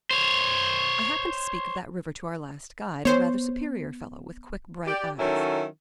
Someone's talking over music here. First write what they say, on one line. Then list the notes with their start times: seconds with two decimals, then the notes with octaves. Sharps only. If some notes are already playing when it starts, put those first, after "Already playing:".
I happened to speak of that river to our last guide, a rather superior fellow with quick, bright eyes.
0.11 C5 C#5
3.05 B3 C5 C#5
4.87 G4 D5
5.19 D#3 F#3 C#4 E4 F#4 A4